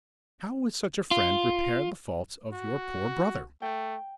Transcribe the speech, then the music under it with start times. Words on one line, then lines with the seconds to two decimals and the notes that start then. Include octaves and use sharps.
How would such a friend repair the faults of your poor brother!
1.11 F4
2.52 F#4
3.62 A3 G5